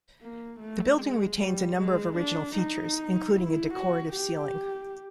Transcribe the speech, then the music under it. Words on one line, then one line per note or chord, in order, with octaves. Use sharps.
The building retains a number of original features, including a decorative ceiling.
A#3
A3
G#3
G3
G#3
D4
D#4
E4
F#4
G4